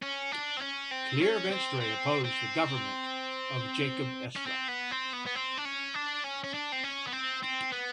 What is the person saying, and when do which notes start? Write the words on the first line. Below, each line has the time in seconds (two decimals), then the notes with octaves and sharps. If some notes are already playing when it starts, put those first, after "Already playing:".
Clear Venstre opposed the government of Jacob Estrup.
0.03 C#4
0.32 D4
0.57 C4
0.62 C#4
0.91 C4
1.21 C#4
1.51 C4
1.80 C4
2.25 C4
4.36 C#4
4.47 C4
4.69 B3
4.91 C4
5.13 B3
5.26 B3
5.35 C4
5.58 D4
5.65 C#4
5.95 D4
6.24 C#4
6.44 C#4
6.54 D4
6.72 C4
6.84 C#4
7.08 B3
7.13 C4
7.43 C4
7.72 B3